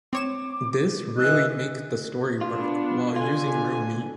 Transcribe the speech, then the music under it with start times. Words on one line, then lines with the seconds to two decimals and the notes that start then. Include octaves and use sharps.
This really make the story work while using real meat.
0.13 C4 C#5 D6 E7
1.18 E3 D#5 E6 F#6
2.41 B3 D4 F4
3.16 D3 F4 G#5